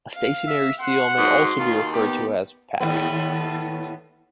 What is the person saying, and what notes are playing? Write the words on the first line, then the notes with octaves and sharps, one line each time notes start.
A stationary seal may also be referred to as 'packing'.
F5
E5
F#5 C6
G#2 F#4 C6
D#2 F4
B3 G4
D#2 A2 B3